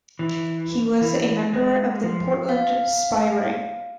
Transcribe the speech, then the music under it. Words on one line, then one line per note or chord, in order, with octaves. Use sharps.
He was a member of the Portland Spy Ring.
E3
E3
G#3
F3
F5